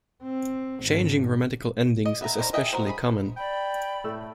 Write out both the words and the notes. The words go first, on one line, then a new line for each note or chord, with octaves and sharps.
Changing grammatical endings is especially common.
C4
G#1
D#5
B3 E5 A#5
D#3 G3 A#4 C5 A#5
G#4 D#5 E5 G5
F#4 A#4 C5
G#4 B5
D5 G5 B5
A2 A3 E6